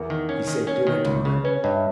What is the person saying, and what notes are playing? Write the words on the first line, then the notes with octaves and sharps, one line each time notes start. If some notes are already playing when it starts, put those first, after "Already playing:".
'He said dinner-time.'
Already playing: E2 A#4
D#3
C#4
D#3
C#4 C#5
D#3
C#2
C#3
C#4 B4
C#5
G2 D#5
E5